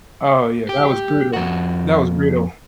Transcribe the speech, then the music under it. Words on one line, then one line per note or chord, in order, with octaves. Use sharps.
Oh, yeah, that was brutal. That was brutal.
G4
F2 F#4